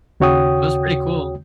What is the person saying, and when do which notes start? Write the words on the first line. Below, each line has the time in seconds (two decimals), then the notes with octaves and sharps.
It was pretty cool.
0.20 D#2 C#3 F#4 C#5 G5 D#6